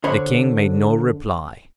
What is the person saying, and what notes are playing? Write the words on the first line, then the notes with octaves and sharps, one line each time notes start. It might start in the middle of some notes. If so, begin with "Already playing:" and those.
The king made no reply.
D3 C5 C#5 B5